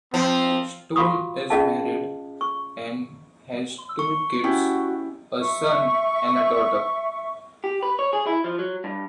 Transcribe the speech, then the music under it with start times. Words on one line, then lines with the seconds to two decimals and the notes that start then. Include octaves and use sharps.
Stone is married and has two kids, a son and a daughter.
0.14 F3 C4
0.96 F4 F#4 F5 B5 C#6 D#6
1.50 C#4 F4 G#4 D#5 F5 A5
2.41 C#6
3.99 C#6
4.44 C#4 E4 F#4 G4
5.39 E5 C#6
7.64 G4
7.83 B4
7.99 C#5
8.13 G#4
8.27 E4
8.44 F3
8.59 F#3
8.84 G2